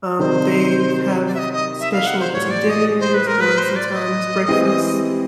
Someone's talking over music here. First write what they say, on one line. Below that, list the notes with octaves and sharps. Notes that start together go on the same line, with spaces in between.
Um, they have specialty dinners, um, sometimes breakfast
C3 D#3 G3 C4 C5
D5
E5
D#5
D#5
E5
F5
F#5
C5
A2 E3 G3 C#5
D5
D#5
C5
B4
A#4
B4
C5
D5
D#5
E3 G#3 C4 E4 G4